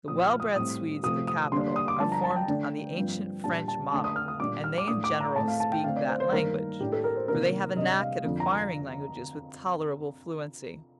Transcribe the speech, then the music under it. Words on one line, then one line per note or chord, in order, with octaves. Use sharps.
The well-bred Swedes of the capital are formed on the ancient French model, and they in general speak that language; for they have a knack at acquiring languages with tolerable fluency.
A#2 F3 C4 D#6
F6
D#6
A2 G3 C4 D#6
C3 F3 A3 C4 D#6
D#6
D3 G3 A#3 D4 C6
D#6
D6
G2 D3 F3 A5
A#5
A5
G5
D3 A3 D4
G2 F3 C4
A#2 G3 D4 A5
A5
D3 A3 D4 A5
D#6
F6
D#6
A#2 G3 D4 D6
F6
D6
A2 A3 D4 D#6
D6
A#5
A2 A3 C4 A5
F5
A5
G5
D3 A3 C4 F5
D5
C5
C5
G2 D#3 A#3 D4 A#4
A2 A3 D4 G4
A4
A#4
C5
C3 D#3 A#3 D4 A#4
C3 G3 D4 D#5
F5
F2 D3 F3
A#5